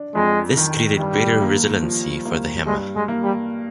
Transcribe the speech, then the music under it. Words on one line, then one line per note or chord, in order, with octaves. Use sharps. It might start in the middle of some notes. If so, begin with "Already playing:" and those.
This created greater resiliency for the hammer.
Already playing: D4
F2 G#3
D#3
G2 G3
A#3
F3
A#3
G2 G#3
G#3
A#3
G3